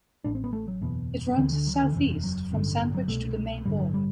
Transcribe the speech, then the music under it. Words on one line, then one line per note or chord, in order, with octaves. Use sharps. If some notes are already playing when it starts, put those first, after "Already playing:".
It runs southeast from Sandwich to the Maine border.
A1 A2 D4
C4
B3
A3
F#3
F#1 E2 B2
D2 D3 E3
D3
F#3
E3
D3
F#1 E2 C3 E3
F#3
A1 G2 D3
F#3
C2 B2 A3
A1 G2 D3 G3
F#3
G3